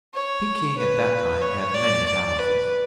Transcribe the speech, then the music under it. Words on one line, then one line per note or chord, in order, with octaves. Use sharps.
Peking at that time had many palaces.
C#5
B4
C#5
D5
D5
B4